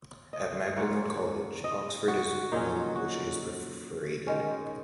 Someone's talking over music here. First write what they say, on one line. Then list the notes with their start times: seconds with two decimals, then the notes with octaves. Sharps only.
At Magdalen College, Oxford is one which is perforated.
0.33 D#5
0.76 G#2 F#3 A#3 C#4 F#5
1.64 D#5
2.08 F#4
2.52 A#2 F#3 C#4 D#4
2.96 F#4
4.27 D#3 G#3 C#4